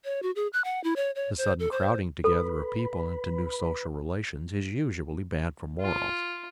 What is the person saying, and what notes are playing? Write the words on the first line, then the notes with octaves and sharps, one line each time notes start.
The sudden crowding together of people into new social relations is usually bad for morals.
C#5
F#4
G#4
F#6
F#5
E4
C#5
C#5
C5
A4
C5
A4 B4 B5
F4